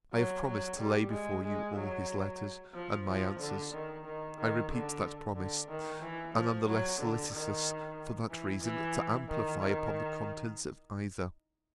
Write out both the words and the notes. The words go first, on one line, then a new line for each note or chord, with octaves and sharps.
I have promised to lay before you all his letters, and my answers: I repeat that promise: and am the less solicitous, for that reason, to amplify upon the contents of either.
F#3
F#3
G3
G#3
G#3
F#3
F3
F3
D3
D#3
D#3
D#3
D3
D3
D#3
E3
F3
F#3
D3
D#3
E3
E3
D#3
D#3